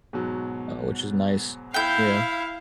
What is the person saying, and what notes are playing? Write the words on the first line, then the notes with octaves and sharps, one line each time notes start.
uh, which is nice. Yeah,
G#2 B2 F#3
E4 F5 G5 G6